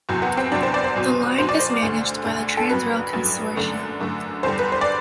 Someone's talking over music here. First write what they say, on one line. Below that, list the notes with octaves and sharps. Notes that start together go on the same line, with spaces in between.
The line is managed by the Transrail consortium.
F#1 E2 C3 F#3
B3
C4
F#1 E2 C3 F#3 D4
C5
D5
C5
B1 B2 F#3
B1 B2 F#3 C5
D5
C5
D2 D3 A3
D2 D3 A3
A4
A1 G2 F#3 B4
A1 G2 F#3
F#2 D3 A3
F#2 D3 A3
E2 D3 G3 C5
B4
C5
D5